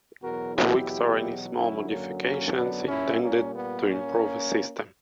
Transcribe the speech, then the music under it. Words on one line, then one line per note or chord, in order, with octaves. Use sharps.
Tweaks are any small modifications intended to improve a system.
E2 B2 F#3 F#4 A#4
E4 G4
F#2 D3 F#3 C#4 E4
A#3 C#4
A#3 C#4
B3 D4
A#2 G3 C#4 E4
A#3 C#4
B3
A#3 C#4